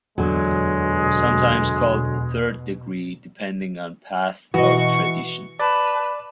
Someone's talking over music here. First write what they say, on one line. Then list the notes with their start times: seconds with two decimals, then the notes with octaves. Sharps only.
Sometimes called Third degree, depending on path or tradition.
0.18 E2 B2 D3 F#3 G#3
4.54 B2 E3 F#4 D#5 C#6
5.60 B4 D5 A5